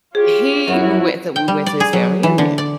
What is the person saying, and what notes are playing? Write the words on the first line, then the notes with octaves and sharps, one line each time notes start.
he we went to we went to his family reunion.
F4 G4 G#4 C#5
F#2 E4 F#4
G5
G3
D5
G#4
F#3
E3
D3
D5